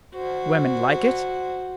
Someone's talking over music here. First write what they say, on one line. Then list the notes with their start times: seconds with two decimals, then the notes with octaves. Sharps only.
"Women like it."
0.15 F#4 C5